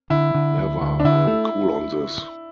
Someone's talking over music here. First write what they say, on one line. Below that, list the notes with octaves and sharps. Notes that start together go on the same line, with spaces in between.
Never, I am cool on this.
D3 E4
D3
D2
D2
D4
D3 E4
A3